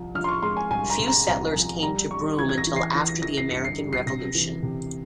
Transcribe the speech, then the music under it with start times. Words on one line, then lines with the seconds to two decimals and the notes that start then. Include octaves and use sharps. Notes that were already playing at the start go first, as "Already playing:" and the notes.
Few settlers came to Broome until after the American Revolution.
Already playing: C2 F3
0.15 F3 F6
0.24 C6
0.29 C#6
0.42 G#3 C6
0.57 G#5
0.71 C2 G#5
0.90 A#5
0.99 C3
1.08 A#5
1.27 C2 A#5
1.54 F3
1.83 G3 A#5
2.11 G3 C#6
2.38 E3 G#6
2.49 G#6
2.58 A#6
2.67 E3
2.76 C7
2.95 E3 A#6
3.08 A#6
3.22 E3 A#6
3.37 C7
3.51 G1 C#7
3.65 C7
3.79 G3
3.93 C7
4.06 C3 A#6
4.35 E3
4.63 C3